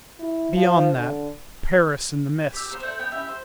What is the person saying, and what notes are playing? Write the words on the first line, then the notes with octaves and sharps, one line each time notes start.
Beyond that, Paris in the mist!
E4
F3
D3
G4 E6
A#3 B3 C5
A4 C5 D5 E5
B3 G5
C#4 E4 G4 E5
C5